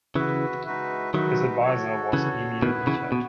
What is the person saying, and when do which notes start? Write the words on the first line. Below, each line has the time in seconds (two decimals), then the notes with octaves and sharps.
His advisor was Emil Wiechert.
0.15 C#3 E3 F#4 B4 E5
0.65 G#3 D#4 F#4 B4 E5
1.14 D#3 F#3 G#3 D#4 F#4 B4 E5
1.64 F#4 A4 C#5
2.13 C#3 E3 F#4 A4 C#5
2.62 B2 D#3 B3 E4 B4
2.87 C#3 E3
3.12 B2 B3